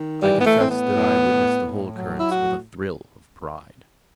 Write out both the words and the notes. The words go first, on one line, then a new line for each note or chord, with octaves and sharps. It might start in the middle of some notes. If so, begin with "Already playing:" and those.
I confess that I witnessed the whole occurrence with a thrill of pride.
Already playing: D#3
E3 G3
B3
A3
A2 C4
B3
A2
A2
A2
F#3
E4
A2 F#4